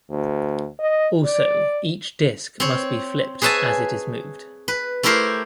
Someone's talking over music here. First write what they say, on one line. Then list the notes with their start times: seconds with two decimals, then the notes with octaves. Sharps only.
Also each disk must be flipped as it is moved.
0.10 D2
0.80 D#5
1.25 D5
2.60 C4 C#5
3.42 G#4 B4 C#5 E5 G#5 A5
4.68 B4
5.03 A3 E4 G4 A#4 C5